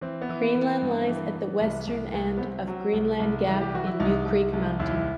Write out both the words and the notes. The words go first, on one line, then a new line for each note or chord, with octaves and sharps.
Greenland lies at the western end of Greenland Gap in New Creek Mountain.
E3 C4
B3
E3
B3
E3
B3
G2
E3
E3
C2
C2
C2
B3
C2 C4
F#3
C2
C2
E3
G4
E3 F#4
E4
C2 D#4
C2
C2
D#2 E4